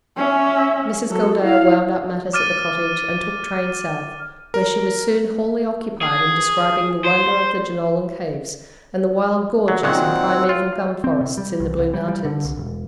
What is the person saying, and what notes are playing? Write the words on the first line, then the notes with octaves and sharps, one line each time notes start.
Mrs Gildea wound up matters at the Cottage and took train south, where she was soon wholly occupied in describing the wonder of the Jenolan Caves and the wild gorges and primaeval gum forests in the Blue Mountains.
C#4 E5
F#3 A4
E4 F5
D6 F6 A6 D#7
A#4
G#4
C5
F#3
A#2 D#3 F#3 C4 F#5
F4
C4
C3
G3
C2
C2
G3
G3
D3
C2
E1